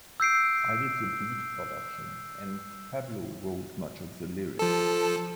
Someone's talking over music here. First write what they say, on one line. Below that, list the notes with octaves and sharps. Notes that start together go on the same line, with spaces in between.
I did the beat production and Pablo wrote much of the lyrics.
E6 G6 C7 D7
F3 A4